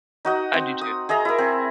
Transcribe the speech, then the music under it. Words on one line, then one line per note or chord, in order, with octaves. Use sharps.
I do too.
D#4 F#4 D#5
C4
D#6
G#4 D#5 E5 A#5
E4 A#4
C4